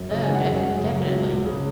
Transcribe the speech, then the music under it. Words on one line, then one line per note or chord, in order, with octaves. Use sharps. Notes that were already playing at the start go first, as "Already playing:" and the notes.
No, def definitely.
Already playing: F#2
C#3 D#5
G#5
G#3
F#5
F#2
F#2
C#3
F#3
C#2
C#2
C#3